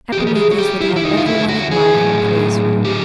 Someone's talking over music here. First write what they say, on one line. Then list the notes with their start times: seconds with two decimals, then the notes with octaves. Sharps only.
Epimetheus would have every one admire and praise her.
0.12 A#2 G4
0.17 F3 G#4
0.27 G4
0.35 G#4
0.51 F#4
0.58 G4
0.81 E4
0.88 F4
0.96 E4
1.03 F2 D3 F3 D#4
1.17 F4
1.26 E4
1.48 F#4
1.71 G#4
1.94 A2 F#3
2.85 D3 F3 G4